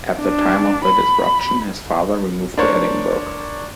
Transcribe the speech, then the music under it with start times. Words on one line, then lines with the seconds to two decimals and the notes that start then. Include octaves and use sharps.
At the time of the disruption his father removed to Edinburgh.
0.20 D4
0.85 B5
2.57 D4 A#4 C5 C#5